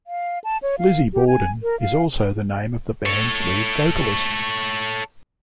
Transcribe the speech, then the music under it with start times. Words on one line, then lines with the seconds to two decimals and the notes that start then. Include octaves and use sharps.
Lizzy Borden is also the name of the band's lead vocalist.
0.07 F5
0.44 A5
0.62 C#5
0.79 F5
1.13 G4
1.27 G#5
1.63 A#4
1.80 F5
3.05 A4 C#5